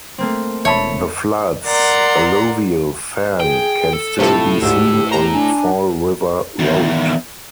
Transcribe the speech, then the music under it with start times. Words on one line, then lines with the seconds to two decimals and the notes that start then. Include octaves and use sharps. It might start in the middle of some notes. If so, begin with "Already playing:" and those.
The flood's alluvial fan can still be seen on Fall River Road.
0.18 A3 A#3 C4
0.65 E1 C#5 E5 A5 B5 C#6
1.66 A#4 D5 F#5 A#5 C6
3.40 G#4 G5
3.93 A4
4.19 C3 F3 A3 E4 A4 A5
4.62 D2 G#2 G4 E6
5.12 G4 A#5
5.33 D4 G#5
6.59 E2 D#3